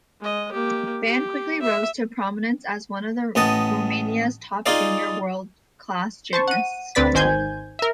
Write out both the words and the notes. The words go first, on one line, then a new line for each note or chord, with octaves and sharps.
Ban quickly rose to prominence as one of Romania's top junior world-class gymnasts.
G#3 D#5
A#3 G4
G4
E5
A1 B3 D#5 A5
D#4 F4 G#4 D5 F5
C5 A5 C#6
F#5 D#7
D2 C4 B4 D5 A6 B6
G#1 D#3 C5 G#5 G6 G#6
A#4 E5